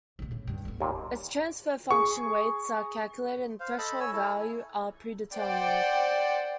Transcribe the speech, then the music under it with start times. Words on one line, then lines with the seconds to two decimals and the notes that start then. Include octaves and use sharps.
Its transfer function weights are calculated and threshold value are predetermined.
0.19 A#1 B2
0.31 A2 C#3
0.47 C#2 G2
0.65 D3 B3
0.80 D#2 A#2
1.91 G#4 C#6
3.60 C5 F5
3.78 A4 D#5 A5 B5
4.00 C#5 G#5 E6
4.13 E4 A4
4.39 G#5
5.35 C5 D5 F#5 G5